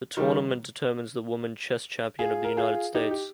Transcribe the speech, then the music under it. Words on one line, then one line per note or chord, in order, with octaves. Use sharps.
The tournament determines the woman chess champion of the United States.
D#3 G3
F4 G#4
A#4
F4 G#4
D#4 G4
G4